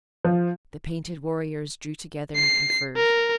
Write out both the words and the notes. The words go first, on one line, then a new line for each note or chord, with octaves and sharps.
The painted warriors drew together and conferred.
F3
C7
A#4